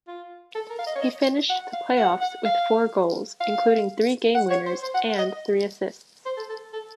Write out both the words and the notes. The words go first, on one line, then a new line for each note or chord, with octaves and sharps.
He finished the playoffs with four goals, including three game winners, and three assists.
F4
A4
A#4
F5
D#5
C#5
D#5
F#5
F5
F#5
F#5
F5
F5
F#5
C#5
C5
C5
F#5
D#5
C5
A4
A4
A4